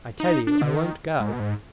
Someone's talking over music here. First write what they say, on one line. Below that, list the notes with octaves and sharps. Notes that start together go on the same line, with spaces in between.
"I tell you I won't go."
D#4
D4
D3
D#3
G#2
B2
G#2